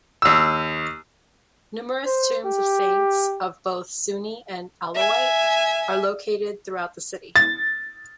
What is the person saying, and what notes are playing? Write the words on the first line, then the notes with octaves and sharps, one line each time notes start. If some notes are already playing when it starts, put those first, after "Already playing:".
Numerous tombs of saints, of both Sunni and Alawite, are located throughout the city.
D#2 E6
C5
G4
E5 G#5
A6